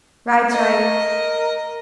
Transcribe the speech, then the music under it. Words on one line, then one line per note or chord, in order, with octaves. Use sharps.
'Right, right.
A#4 D#5